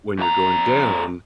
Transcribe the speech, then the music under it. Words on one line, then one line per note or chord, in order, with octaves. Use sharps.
When you're going down,
F2 A#5